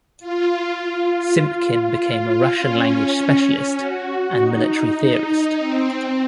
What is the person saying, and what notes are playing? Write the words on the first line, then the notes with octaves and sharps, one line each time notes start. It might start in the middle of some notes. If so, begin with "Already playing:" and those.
Simpkin became a Russian language specialist and military theorist.
F4
C#4
F#4
D#4
C4